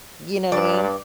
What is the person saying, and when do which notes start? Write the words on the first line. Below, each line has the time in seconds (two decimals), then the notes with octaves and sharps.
you know, what I mean?
0.52 G2 D5